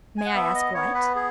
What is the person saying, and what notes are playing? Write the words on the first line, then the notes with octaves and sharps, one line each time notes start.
"May I ask what?"
G#5
F#5
B3 E5
D#5
B3 C#5
B4
G#4